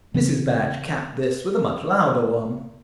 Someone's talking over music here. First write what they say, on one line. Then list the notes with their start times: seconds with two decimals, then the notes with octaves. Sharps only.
Mrs. Batch capped this with a much louder one.
0.14 C#3 E3 C4